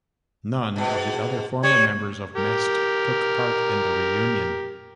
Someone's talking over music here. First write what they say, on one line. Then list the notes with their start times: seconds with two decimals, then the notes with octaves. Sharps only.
None of the other former members of Mest took part in the reunion.
0.76 G#2 B2
1.63 G3 C#5
2.36 G4 A#4